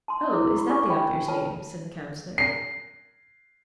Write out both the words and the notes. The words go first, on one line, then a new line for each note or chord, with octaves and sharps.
"Oh, is that the author's name?" said the Councillor.
A5 C6
E4 G#4 A4 E6
G4 B5
G#4 B4 D5 G#5 C#6
G5 B5
F4 B4 C#5 A5
C7